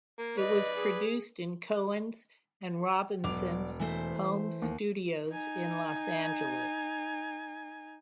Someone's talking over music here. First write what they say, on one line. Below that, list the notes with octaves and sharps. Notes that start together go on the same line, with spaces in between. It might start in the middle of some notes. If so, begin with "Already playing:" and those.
It was produced in Cohen's and Robinson's home studios in Los Angeles.
A#3
B4 D5 D#5
G#4
E1 F#3 D5 D6 F7
E3 A3 C5
D#2
D#4 G#5